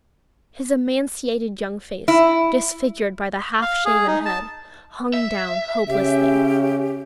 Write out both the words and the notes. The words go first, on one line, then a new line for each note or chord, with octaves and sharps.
His emaciated young face, disfigured by the half-shaven head, hung down hopelessly.
E4
F5
G#4
D#4
A5
E5
C#3 C#4 G4